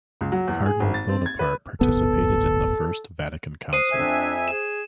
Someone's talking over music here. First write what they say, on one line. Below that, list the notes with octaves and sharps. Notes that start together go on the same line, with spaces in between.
Cardinal Bonaparte participated in the First Vatican Council.
C#2
F#3
E2
G#4
G#1
A6
C4
G#6
B4
D1 G1 B3 A4
C5 D#6 C7 D#7
F2 D4 E5 G#5
G#4 E7